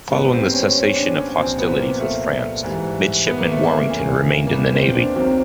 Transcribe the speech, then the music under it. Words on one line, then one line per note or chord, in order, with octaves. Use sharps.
Following the cessation of hostilities with France, Midshipman Warrington remained in the Navy.
G#2 D#3 G3 B3
C4
C#4
C#4
D4
C#4
C2 A#2 F3 C4
B3
A#3
A3
G#2 E3 G3
B3
A#3
A3
A#3
D#2 C#3 E3
A#3
B3
C4
D4
C2 C3 D#3 F#3 C4